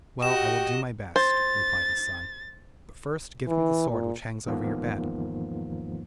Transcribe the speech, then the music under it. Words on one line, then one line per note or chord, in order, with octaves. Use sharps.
'Well, I will do my best,' replied his son; 'but first give me the sword which hangs over your bed!'
F#4 G4 D#5 G5 E7
C5 A6
E3
A#2
E2 G#2 D#3 F3 A#3 B3